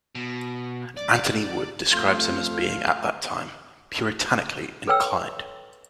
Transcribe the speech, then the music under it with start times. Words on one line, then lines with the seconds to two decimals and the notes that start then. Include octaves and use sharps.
Anthony Wood describes him as being at that time "puritanically enclin'd".
0.15 B2
0.97 D5
1.92 F2 A3 F5 C6 G6
4.87 A4 B4 C#5 G5 E6